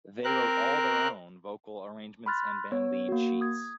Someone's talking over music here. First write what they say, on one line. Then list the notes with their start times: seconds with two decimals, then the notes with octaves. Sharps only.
They wrote all their own vocal arrangements and band lead sheets.
0.24 C4 A#4 F#6
2.26 B5 C6 F6 F#6 A6
2.72 B3 C#5
3.09 A#3 F#4
3.41 D#6 G#6